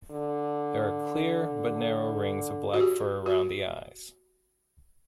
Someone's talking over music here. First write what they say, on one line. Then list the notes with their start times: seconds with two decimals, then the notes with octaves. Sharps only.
There are clear, but narrow, rings of black fur around the eyes.
0.10 D3
2.74 F#4
2.80 G4
3.26 F#4